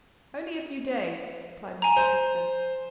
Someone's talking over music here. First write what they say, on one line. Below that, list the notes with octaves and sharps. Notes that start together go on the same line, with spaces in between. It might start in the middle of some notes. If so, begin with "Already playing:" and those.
"Only a few days," replied Monte Cristo.
G#5 A#5
C5